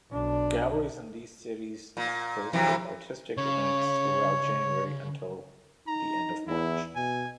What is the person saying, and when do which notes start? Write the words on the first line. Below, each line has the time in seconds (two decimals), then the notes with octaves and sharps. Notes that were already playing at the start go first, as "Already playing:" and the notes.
Galleries in these cities hosted artistic events throughout January until the end of March.
0.11 B1 D4
1.97 A#2
2.53 F2 C3 E3
3.37 C#3 C#5
5.87 D#4 A#5
6.48 E2 E4
6.96 B2 G#5